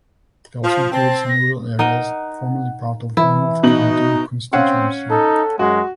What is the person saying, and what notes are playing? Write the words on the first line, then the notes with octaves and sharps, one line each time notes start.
It also included some rural areas formerly part of Monmouth county constituency.
F3
C4 A5
A#6
D#4 A#4 D#5 F#5
E3 E4
B2 D#4 F#7
C4 C#4 F5 F#5
D#4 A4
F#2 G#3 F#4